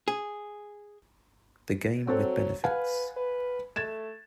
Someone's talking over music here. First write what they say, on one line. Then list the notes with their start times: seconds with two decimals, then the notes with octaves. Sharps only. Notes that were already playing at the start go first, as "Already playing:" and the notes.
The Game with Benefits.
0.08 G#4
2.07 F#3 C4 F#4 A4
2.64 B4 F5 F#5 G#5
3.17 B4
3.76 A3 G#6 A6 E7